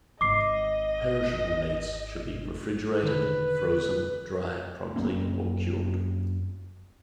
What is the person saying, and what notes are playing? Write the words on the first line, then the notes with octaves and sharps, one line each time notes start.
Perishable meats should be refrigerated, frozen, dried promptly or cured.
G#1 D#5 D6 C7
E1 D3 D#3 B4
F#2 A#3 C4 C#4